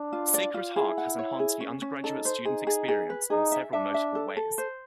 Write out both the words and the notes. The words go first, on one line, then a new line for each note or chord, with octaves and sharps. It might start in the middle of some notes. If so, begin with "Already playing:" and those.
Sacred Heart has enhanced the undergraduate student experience in several notable ways.
Already playing: D4
F4
D5
F4
E4 G#4
F#5
C#5
G#4
C#4
C#4
D#4 A4
C5
D#4 G#4
G#4
G#4
B4
D#4 G#4
E5
D4 E5
E5
A4
A4
C5